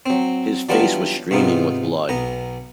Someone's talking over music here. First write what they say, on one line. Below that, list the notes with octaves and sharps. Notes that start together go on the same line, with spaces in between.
His face was streaming with blood.
F#3 C4
E3 F#3 G3 B3 D4 F4
G#2 C3 B3 D#4 F4
B1 B3 A#5